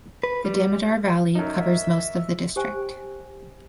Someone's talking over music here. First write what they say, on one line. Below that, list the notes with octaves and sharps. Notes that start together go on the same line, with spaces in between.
The Damodar valley covers most of the district.
B4
G3
F#2 D#4 E5
G4 C5 G5 G#5